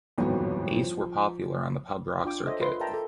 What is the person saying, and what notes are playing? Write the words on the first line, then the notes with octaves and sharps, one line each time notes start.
Ace were popular on the pub rock circuit.
D#1 A1 F2 G#2 F#3 B3
F3
D4 F4 G5 D6
A4 C5 C#5 D#5 E5
F4 B4 C6
A#4 D5 E5 G5 A5 A#5
A4